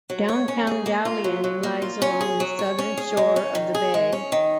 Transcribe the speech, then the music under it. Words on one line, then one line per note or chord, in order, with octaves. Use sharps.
Downtown Dalian lies along the southern shore of the bay.
F#3
C#5
C#4
G#4
A#3
F4
F#3
F#3
A#3
F4
C#4
G#4
F#3
C#5
C#4
G#4
G#3
C#4
D#3
G#4
G#3
C#4
D#3